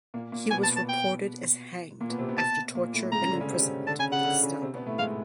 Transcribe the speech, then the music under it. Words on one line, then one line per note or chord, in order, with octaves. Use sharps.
He was reported as hanged after torture and imprisonment by the Gestapo.
A#2 A#3
A#2 A#3
B2 B3 G#5
A5
A5
G5
A#2 A#3
B2 B3
C3 C4
B2 B3
A5
A#2 A#3
A2 A3
G#2 G#3 A#5
C#3 C#4
D3 D4
C#3 C#4
C3 C4
C#3 C#4
D3 D4 A5
C#3 C#4 G#5
C#3 C#4 F#5
D3 D4
C#3 C#4
C3 C4
B2 B3
A2 A3
G#2 G#3 F5